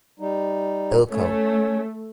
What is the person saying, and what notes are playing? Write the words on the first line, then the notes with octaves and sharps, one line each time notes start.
Hill Co.
G3 D#4
A3 C#4 C#5